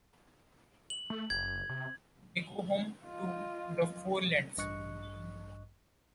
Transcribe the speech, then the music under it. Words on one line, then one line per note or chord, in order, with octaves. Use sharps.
They go home to the Four Lands.
F#7
A3
F#1 G#6
C3
F4 D#5
A1 G2 D#5 C#6 F#6 C#7